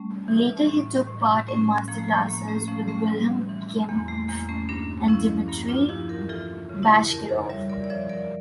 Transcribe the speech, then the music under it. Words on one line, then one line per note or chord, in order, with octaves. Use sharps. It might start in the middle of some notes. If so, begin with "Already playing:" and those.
Later he took part in masterclasses with Wilhelm Kempff and Dmitri Bashkirov.
Already playing: G3 A3 C#4
E3
A2
A2
A2 A3 C#4
F3 A#3
A3
A#3
A2 A#3
A3 C#4
F3 A3 C#4
A3 C#4
G3
E3
E2 A#3
A3
E2 A#3
A3 C#4
G2 A#3 D4
F3 C#4 E4
G2 A#3
D4 F4
F3 E4 G4
G4 A#4
E3 F4 A4
C#3
E4 G4
F2 G4 A#4
A4 C#5
G3 C#5 E5
A#4 D5
D5
F3 C#5 E5
A#4 D5